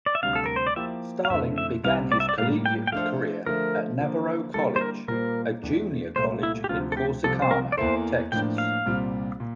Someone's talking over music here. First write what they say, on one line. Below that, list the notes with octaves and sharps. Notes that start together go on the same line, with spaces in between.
Starling began his collegiate career at Navarro College, a junior college in Corsicana, Texas.
D5
E5
D2 C3 G3 D4 F5
A4
A#4
C5
D5
F3 A#3 E4 G4 E5
F5
F2 D3 A3 E4 A4 E5
E5
C2 C3 G3 C4 F5
D5
E5
D5
A2 G3 A#3 F5
G5
G5
F3 A3 D4 A4 C5 F5
D3 F3 A3 A#4
D3 F3 A#3
D3 G3 A#3 E4 A4
C5
A#4
A#2 G3 A#3 F4 A#4 C5
E2 E3 A3 D4
C2 A#2 A3 C5
E4
G4
D2 C3 F3 F4
A4
G4
C2 C3 F3 A4
C5
A#4
D5
E2 E3 A#3 E4 A4 C5
A2 F3 A#3 D4 G5
F5
C2 A#2 G3 C4 F4
A#2